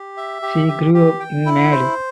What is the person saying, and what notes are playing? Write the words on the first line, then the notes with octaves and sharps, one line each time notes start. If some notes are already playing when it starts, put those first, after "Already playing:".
She grew up in Made.
Already playing: G4
E5
G4
G4
G4
G5
E4
C5